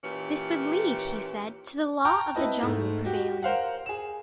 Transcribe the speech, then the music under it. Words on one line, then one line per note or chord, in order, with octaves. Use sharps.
This would lead, he said, to the law of the jungle prevailing.
A#2 E3 C#4 G4
G5 A5 A#5 C#6 F6 G6
C4 E4 B4 D#5 A5
G#2 G#3 A3
F#4 G4
A#4 C5 F5 F#5
G#4 E7